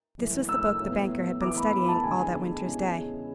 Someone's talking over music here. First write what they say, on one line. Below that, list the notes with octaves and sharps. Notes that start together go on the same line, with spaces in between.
This was the book the banker had been studying all that winter's day.
F#1 F#2 E3 A3
E6
A2 F#3 B3
A2 E3 B3 E4 D6
B5
B5
A5
E2 D3 G#3 G#5
E2 C#3 G#3